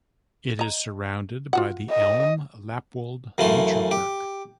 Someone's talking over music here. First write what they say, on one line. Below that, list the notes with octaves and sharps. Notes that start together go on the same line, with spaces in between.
It is surrounded by the Elm-Lappwald Nature Park.
D#5 A#5
F4 F#4 F#5
D#5
F#2 C#3 E3 A3 C6
G4